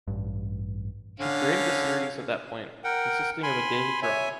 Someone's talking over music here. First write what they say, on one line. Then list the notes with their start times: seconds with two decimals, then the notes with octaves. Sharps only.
She created a series at that point, consisting of a daily drawing.
0.07 A1 G2
1.20 D3 C#4 F5
2.84 A#4 F#5 G5
3.43 G#5 B5 C6
4.02 C#5 E5 G#5